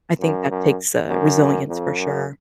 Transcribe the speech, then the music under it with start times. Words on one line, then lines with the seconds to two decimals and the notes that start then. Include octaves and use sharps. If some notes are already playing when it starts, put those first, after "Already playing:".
I think that takes, uh, resilience for sure.
0.20 F#2
0.50 F#2
1.08 F#2
1.68 F2
1.97 F#2